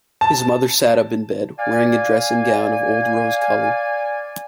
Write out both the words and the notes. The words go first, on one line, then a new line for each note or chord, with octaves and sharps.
His mother sat up in bed, wearing a dressing-gown of old-rose colour.
A5
D5 F5 G#5